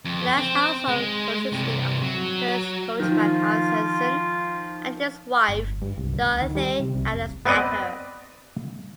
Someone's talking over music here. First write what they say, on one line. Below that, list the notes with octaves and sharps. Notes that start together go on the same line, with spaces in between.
The last household consisted of hearse coachman Hans Hansen and his wife Dorothea Andersdatter.
F2
C4
G#3
G2 C3
F#3
D#3 F3 F4
G1
G2
C2
D2
D#3
G3
C3
C2
F1
B3 C4 B4 D5 D#5